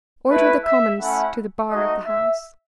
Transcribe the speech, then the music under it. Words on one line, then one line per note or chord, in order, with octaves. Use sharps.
"Order the Commons to the bar of the House."
A3 E4 B4
E5
A3 C#4 E4 F#5
A3 D#4 F#4 D#5
E5